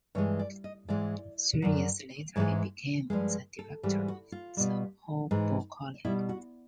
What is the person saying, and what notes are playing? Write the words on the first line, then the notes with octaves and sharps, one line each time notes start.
Three years later, he became the director of the Hobo College.
G2 E3 G#3 C#5
D5
D#5
G#2 E3 G#3 D5
F#2 D3 F#3
G#2 E3 G#3 C#5
G2 D3 F3 G#3 C5
A4
G#2 E3 G3 G4
F#4
F4
B2 G3
G#2 E3 G#3
B2 G3 E4
F#4